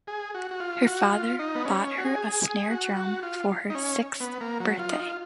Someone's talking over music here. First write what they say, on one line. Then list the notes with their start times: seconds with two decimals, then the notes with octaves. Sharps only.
Her father bought her a snare drum for her sixth birthday.
0.07 G#4
0.35 F#4
0.51 F#4
0.60 F4
0.86 F#4
1.13 F4
1.39 D#4
1.55 B3
1.65 C#4
1.98 F#4
2.05 G#4
2.44 G#4
2.70 F#4
2.96 F#4
3.23 F4
3.70 D#4
3.75 C#4
4.20 B3
4.41 A#3
4.60 F#3
4.79 F4
4.92 D#4
4.99 F4